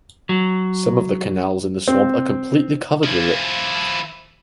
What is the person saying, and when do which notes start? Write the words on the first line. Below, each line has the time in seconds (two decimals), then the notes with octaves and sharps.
Some of the canals in the swamp are completely covered with it.
0.29 F#3
1.88 C4
3.04 F3 E4